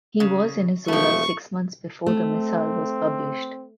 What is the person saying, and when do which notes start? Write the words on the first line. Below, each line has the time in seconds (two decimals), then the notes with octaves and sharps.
He was in Izola six months before the missal was published.
0.20 C#3
0.88 E1 F3 A3 C#6
2.06 A3 C4